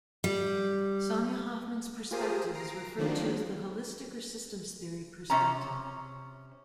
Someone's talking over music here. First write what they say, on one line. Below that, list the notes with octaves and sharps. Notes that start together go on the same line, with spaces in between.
Sonia Hoffman's perspective is referred to as the holistic, or systems theory, perspective.
G3
F4 G4 G#4 A#4 C5 D#6
A#5 A#6 C7 D7
D#3 F3 F#3 A#3 C4 D4
C3 C#4 A#5